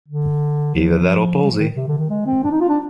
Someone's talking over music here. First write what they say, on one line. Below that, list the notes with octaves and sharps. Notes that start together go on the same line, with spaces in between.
Either that or palsy.
D3
F3
G3
F3
D#3
C3
D3
D#3
G#3
C4
D4
D#4
F4
D4